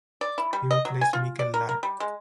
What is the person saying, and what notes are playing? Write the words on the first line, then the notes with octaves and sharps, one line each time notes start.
He replaced Mihkel Laar.
D5
E4
G3
D#5
F#3
G#5
F4
D5
A#4
A#4
G3
G#3